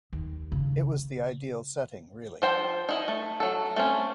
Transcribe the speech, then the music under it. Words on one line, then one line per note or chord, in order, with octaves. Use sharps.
It was the ideal setting really.
D#2
C#3
F3 C5 G5
D#4 E4 D#5
A3
F#3 A4
A3 C4 C#4